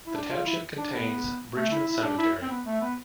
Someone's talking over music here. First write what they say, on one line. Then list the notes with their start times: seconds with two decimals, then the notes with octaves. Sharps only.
The township contains Bridgeman Cemetery.
0.07 E4
0.15 D4
0.30 F4
0.45 E4
0.78 D4
0.93 B3
1.56 A3
1.71 E4
1.87 E4
1.97 E4
2.03 D4
2.18 E4
2.42 C4
2.49 B3
2.66 A3
2.81 B3